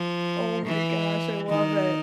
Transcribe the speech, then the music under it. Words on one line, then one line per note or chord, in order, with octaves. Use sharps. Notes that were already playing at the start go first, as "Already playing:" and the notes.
Oh my gosh, I love it.
Already playing: F3
E3
D#3